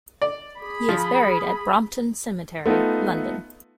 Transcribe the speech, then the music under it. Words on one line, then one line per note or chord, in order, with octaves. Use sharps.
He is buried at Brompton Cemetery, London.
D5
G#4 B5
F3
A3 B3 D#4 F4 A4